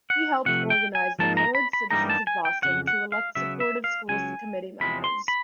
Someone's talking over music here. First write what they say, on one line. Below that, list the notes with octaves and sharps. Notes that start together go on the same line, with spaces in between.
He helped organize the colored citizens of Boston to elect supportive School Committee members.
F#5
C3 F3 A3 F#5
G5
G#5
G#2 F3 A#3 D#4 A5
A#5
B5
B5
G2 E3 G3 A#3 D#4 A#5
A5
G#5
G5
F2 C#3 F#5
F#5
F5
C#3 F#3 B3 E5
E5
F5
C#2 C#3 F#3 G#5
E2 C3 F3 G#3 B5
C6
B5